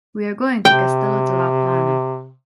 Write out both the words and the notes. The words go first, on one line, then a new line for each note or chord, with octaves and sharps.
We are going to Castelló de la Plana.
C3 G5